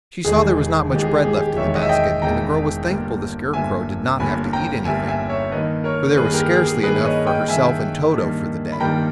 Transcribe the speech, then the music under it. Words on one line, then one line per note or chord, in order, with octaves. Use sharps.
She saw there was not much bread left in the basket, and the girl was thankful the Scarecrow did not have to eat anything, for there was scarcely enough for herself and Toto for the day.
E1 E2 D#3 G#3 G#4
G#4
E1 E2 D#3 G#3 G4
G#4
G4
G#4
G4
E1 E2 D#3 G#3 C#5 E5
D#5
E5
D#5 G5
E1 E2 D#3 G#3 G5 A#5
G1 G2 G3 A#3
G1 G2 G3 A#3 E5 G#5
G1 G2 G3 A#3 G#5 B5
G5 A#5
G1 G2 G3 A#3 E5 G#5
E5 G#5
C#5 E5
G2 D#3 A#3 B4 D#5
A#4 C#5
G2 D#3 A#3 G#4 B4
G4 A#4
G#4
G#4
G2 D#3 A#3 G#4 B4
C#5
B4 D#5
D#5 G5
G2 D#3 A#3 E5 G#5
G2 D#3 G3 A#3
B5
G2 D#3 G3 A#3 G5 A#5